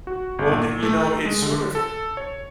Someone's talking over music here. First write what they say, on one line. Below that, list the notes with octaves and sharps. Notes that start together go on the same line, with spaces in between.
Well, d it's sort of
F#4
G1
A#2
A3
G#3
D3
A4
C#5